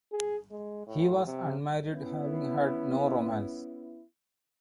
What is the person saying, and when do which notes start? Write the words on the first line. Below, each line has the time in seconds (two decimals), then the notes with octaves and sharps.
He was unmarried having had no romance.
0.12 G#4
0.51 G#3
0.87 A2
1.26 C3
1.91 B3 C#4 E4